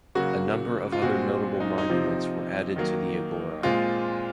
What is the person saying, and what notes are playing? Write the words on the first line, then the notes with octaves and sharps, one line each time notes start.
A number of other notable monuments were added to the agora.
C#3 F#3 A#3 F#4
F4
A#2 G#3 C4 F#4
D#4
D#4
C3 F3 C4
D#3 F#3 A#3
A#2 G#3 C4 F4